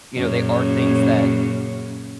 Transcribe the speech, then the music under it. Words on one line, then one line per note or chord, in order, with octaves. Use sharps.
you know, they are things that
F#2 A#2 C#3